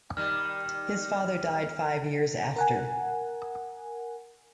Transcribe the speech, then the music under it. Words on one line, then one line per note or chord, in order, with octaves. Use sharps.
His father died five years after.
D#3 G3 F6
A#4 F#5 G#5